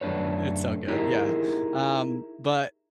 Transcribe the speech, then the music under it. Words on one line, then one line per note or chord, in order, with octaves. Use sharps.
it's so good, yeah. Um, but
F#2 A3 D4 B4 C#5
D#4 E4 G4 G#4 A#4